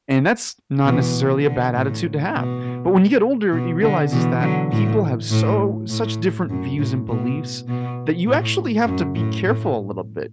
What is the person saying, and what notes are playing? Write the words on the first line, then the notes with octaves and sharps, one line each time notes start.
And that's not necessarily a bad attitude to have. But when you get older, you realize is that people have so such different views and beliefs, that you actually have to be careful a little bit,
B2 E3
D3
A2
B2
B2
D3
B2 E3
D3 F#3
A2
A2
A2
F#2
A2
B2
B2
A2
F#2
A2
A2